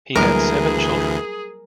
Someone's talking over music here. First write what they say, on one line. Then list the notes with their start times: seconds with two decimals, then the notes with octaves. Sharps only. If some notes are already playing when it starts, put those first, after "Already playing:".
He had seven children.
0.15 D2 E3 F#3 G3 A#3 G#4 A#4